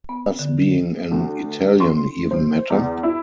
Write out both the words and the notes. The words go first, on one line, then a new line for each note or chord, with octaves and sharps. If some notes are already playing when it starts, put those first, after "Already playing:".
Does being an Italian even matter?
B3
D3
D2
C6
C5
E2
E4